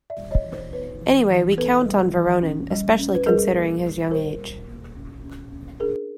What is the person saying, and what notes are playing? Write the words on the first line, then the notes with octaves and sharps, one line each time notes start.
Anyway, we count on Voronin, especially considering his young age.
D5 E5
G3
C#5 D#5
E3
C5 D5
B3 B4 C#5
E3
E3
B3 A4 B4
G3
E3
C#4
G3
C#4
B4
G3 G#4 A#4
A#3
G3
G3 A#4 C5
G3
A#3
C#4
C#4
C#4
D4 G#4 A#4